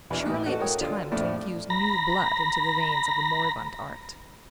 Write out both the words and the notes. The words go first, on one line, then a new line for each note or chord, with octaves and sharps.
Surely it was time to infuse new blood into the veins of the moribund art.
E2 B2 E3 D4
A2 E3
F#4 A4 B4 D#5
A#4 C#5 G5 D#6
D3 D4 F4
F2 A2 A3 D4
A#5 B5 A#6